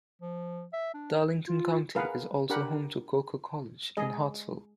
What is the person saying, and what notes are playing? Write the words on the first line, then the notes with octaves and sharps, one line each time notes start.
Darlington County is also home to Coker College in Hartsville.
F3
E5
D4
F4
G#4 A#4 B4 F5 F#5
D4 G4 A#4 F#5 B5
G#3 G#4 D#5